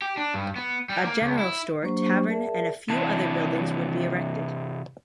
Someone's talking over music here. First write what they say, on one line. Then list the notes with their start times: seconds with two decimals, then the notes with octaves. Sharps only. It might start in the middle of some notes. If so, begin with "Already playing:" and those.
A general store, tavern, and a few other buildings would be erected.
0.02 G4
0.17 D4
0.34 G2
0.56 B3
0.89 G3
1.05 A#3
1.22 C#2
1.39 E4
1.82 F#3 A#3 D4 G4 C5 C#6
2.29 G#4 A#4 D5 E5 A5
2.90 C3 E3 A5